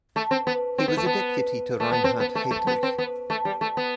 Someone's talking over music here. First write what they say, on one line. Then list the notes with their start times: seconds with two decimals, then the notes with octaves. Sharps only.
He was a deputy to Reinhard Heydrich.
0.16 A3
0.31 C4
0.47 B3
0.78 C4
0.88 B3
0.97 A3
1.06 B3
1.80 A3
1.92 B3
2.04 C4
2.20 B3
2.35 A3
2.51 A3
2.67 B3
2.83 C4
2.98 B3
3.30 A3
3.45 G3
3.61 A3
3.77 B3